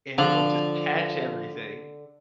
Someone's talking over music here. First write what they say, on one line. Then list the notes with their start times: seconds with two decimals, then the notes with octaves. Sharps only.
And it'll just catch everything.
0.18 D3 F3